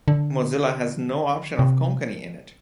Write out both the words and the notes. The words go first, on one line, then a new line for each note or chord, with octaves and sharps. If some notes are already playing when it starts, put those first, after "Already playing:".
Mozilla has no option of Konkani in it.
D3
C3